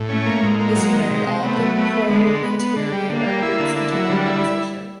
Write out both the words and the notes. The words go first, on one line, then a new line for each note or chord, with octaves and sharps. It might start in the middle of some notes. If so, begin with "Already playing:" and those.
This united all of the proletariat art groups into one organization.
Already playing: A2
A3 C#4
A#3
A2 G#3
A#3
F#3
D#3
C3 G#3
C3
A3 B3
F#3
A3 B3
B3
D3 G#3
D3
B3
B3
D3
G3
D3 A#3
G3
E4
D3
E4
F#3
D3 G3
E4